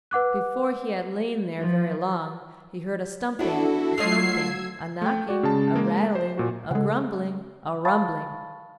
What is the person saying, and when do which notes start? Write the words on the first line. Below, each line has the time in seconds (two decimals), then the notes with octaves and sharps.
Before he had lain there very long he heard a stumping, a thumping, a knocking, a rattling, a grumbling, a rumbling.
0.11 B4 F#5 D6 F#6
1.57 F3
3.39 B3 D4 E4 F#4 A4
3.98 F#3 A3 F4 D#5 E6 G#6 C7
5.02 A3 G5
5.29 F#4 D5
5.43 C#3 G#3 A5
5.75 G#3 A#3
6.15 C5
6.37 A#2 F#4
6.71 C#3 G#3 A4 F#5
7.85 F5 A5 B5 C#6 A6